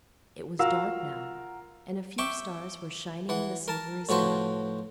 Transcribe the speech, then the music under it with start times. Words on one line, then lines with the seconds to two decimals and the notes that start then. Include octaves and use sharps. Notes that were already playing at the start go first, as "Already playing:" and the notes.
It was dark now, and a few stars were shining in the silvery sky.
0.59 F4 F#4 A#4 F5 A#5 E6
2.18 E5 G5 C#6 D6
3.29 E3 F#5
3.68 A#4 A5
4.09 A2 F3 F#4 B4 C5